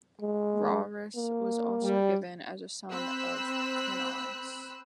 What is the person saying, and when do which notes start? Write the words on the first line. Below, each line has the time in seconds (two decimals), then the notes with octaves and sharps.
Rarus was also given as a son of Cranaus.
0.21 G#3
1.15 A#3
1.82 G3
2.92 C4 B5 E6 F#6